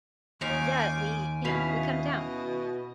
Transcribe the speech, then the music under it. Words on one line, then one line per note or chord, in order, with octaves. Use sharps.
yeah, we you know, we cut 'em down.
D#2 C#4 D#4 F4 G#5 D6
B2 C#4 E4 D#5 F5